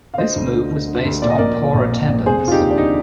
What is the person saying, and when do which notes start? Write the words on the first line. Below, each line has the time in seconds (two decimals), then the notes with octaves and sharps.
This move was based on poor attendance.
0.14 F5
0.18 D3 C5 D#5
0.36 D2
0.53 D3
0.70 D2
0.88 D3
1.05 D2
1.22 A#2 D5
1.30 D#5
1.38 A#1 A#4 D5
1.57 A#2
1.74 A#1
1.92 A#2
2.08 A#1
2.26 F1 G#4 C5
2.43 F1 F4
2.52 D#4 G4
2.60 D#2
2.71 D4
2.78 D3 D#4